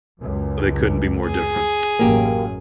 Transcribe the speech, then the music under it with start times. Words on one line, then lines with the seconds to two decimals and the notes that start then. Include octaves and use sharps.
They couldn't be more different.
0.20 C#2 F#2
1.26 G#4
1.99 A1 F#2 A#3 G4